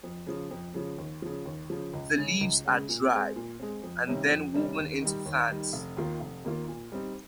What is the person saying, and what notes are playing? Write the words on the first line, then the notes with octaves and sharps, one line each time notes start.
The leaves are dried and then woven into fans.
F2
C#3 F3
F2
C#3 F3
D#2
C#3 F3
D#2
C#3 F3
C#2
C#3 G#3 C#4
C#2
C#3 G#3 C#4
A#2
G#3 C4
A#2
G#3 C4
F2
C3 D#3 G3 C#4
F2
C3 D#3 G3 C#4
D#2
D#3 G3
D#2
D#3 G3
F1
D#2 D#3 A#3 F4
F1
D#2 D#3 A#3 F4
A#2
G3 C4 D#4